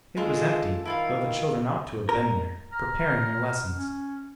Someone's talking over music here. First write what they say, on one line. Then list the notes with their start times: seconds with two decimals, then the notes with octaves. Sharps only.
It was empty, though the children ought to have been there, preparing their lessons.
0.17 G#3 D4 F4 A4
0.85 D#3 E4 F4 F5
2.09 A#4
2.72 A#5 F6
3.76 C#4